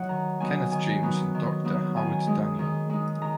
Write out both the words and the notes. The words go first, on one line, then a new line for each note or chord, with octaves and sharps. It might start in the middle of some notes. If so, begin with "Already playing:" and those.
Kenneth James and Doctor Howard Daniel.
Already playing: F#3 D#4 C#5 F#5
D#3 A#5
F#3 B3 D#4 G#5
D#3 G#5
F#3 B3 D#4
D#3
F#3 B3 D#4
D#3 G#5
G#3 D#4
D#3
G#3 D#4
D#3 A#5